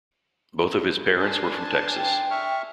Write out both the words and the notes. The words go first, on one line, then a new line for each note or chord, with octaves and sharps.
Both of his parents were from Texas.
D4 G#5 A5 C6
G5
E5 C#6 F6